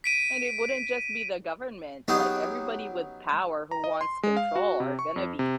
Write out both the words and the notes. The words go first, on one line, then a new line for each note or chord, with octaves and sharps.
And it wouldn't just be the government, like, everybody with power who wants control are gonna be
B6 D7 D#7
F#3 B3 C#4 D#4 G4 G#4
A#5
D#5
C6
G#3
F5
F#4
C3
C#6
F2
C3